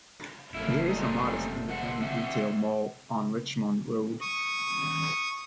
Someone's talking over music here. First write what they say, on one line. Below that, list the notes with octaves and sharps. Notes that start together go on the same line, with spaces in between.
There is a modest independent retail mall on Richmond Road.
F#1 C3 A3 A#3 E4
A#2 G3 D#4
D#3 F#5
C4 E5 F#5
C#6 D#6